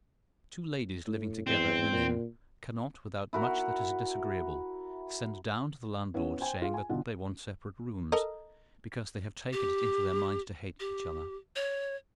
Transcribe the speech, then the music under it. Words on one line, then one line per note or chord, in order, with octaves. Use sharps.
Two ladies living together in an inn cannot, without much that is disagreeable, send down to the landlord saying that they want separate rooms, because they have taken it into their minds to hate each other.
A2
E2 C4
A#2
E4 F#4 A#4
B3 C#4 E4
C5 G5 G#5
F4 G#4 F5
G#5
B1 D3 F4 F#5
A4 A#4 D#5
G4
G4
C#5